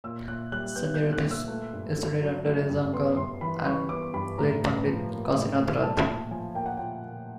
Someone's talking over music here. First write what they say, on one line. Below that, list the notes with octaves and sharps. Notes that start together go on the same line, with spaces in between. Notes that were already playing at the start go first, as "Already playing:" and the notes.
Sanjay Rath studied under his uncle, the late Pandit Kasinath Rath.
A#2 E6
A#2 F#6
G3 F#6
B3 G6
G6
A#2
F#6
A#2
E6
A3
G2
D3
F#3
A3
G2
B3 C6
G2 C6
E3 B5
G3 C#6
B3 D6
G2 B5
A2 A#5
A2
F3
A#3
A2
A2
A#2 A5
A#2 A5
F3 G#5
A#3 G5
F#5
A#2 G5
A#2